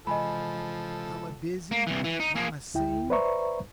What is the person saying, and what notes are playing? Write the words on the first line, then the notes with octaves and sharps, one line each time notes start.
"Mama busy; mama sing."
C3 E3 F3 G#3 A4 D#5 G#5 B5
A#3
C2 E3
E3
D#4
A#3 G#4
D2 E4 G5
B4 C5 D5 E5 A#5 C#6